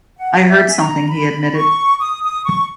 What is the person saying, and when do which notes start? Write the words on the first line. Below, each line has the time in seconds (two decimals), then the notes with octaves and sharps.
"I heard something," he admitted.
0.17 F#5
0.48 E5
0.67 G#5
0.79 A#5
1.08 B5
1.54 C#6
1.99 D#6
2.23 D#6
2.44 C#6